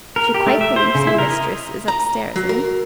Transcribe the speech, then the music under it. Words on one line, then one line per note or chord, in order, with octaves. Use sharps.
'She quite believes her mistress is up stairs, eh?'
A#4
G4
A3
E5
C5
C#3
E4
A#4
D#5
A#5
F#3
A#4